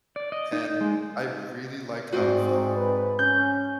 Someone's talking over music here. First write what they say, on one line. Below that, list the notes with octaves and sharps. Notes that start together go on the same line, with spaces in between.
and I really liked how it felt.
D5
D#5
D#4
G#3
G#2 C4 F#4 C5 D5
B4
C#4 G6